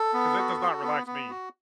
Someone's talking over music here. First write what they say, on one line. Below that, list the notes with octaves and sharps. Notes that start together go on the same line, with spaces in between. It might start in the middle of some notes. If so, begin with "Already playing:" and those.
'Cause it does not relax me.
Already playing: A4
B3
F#4
F#4
B3
B3
F#4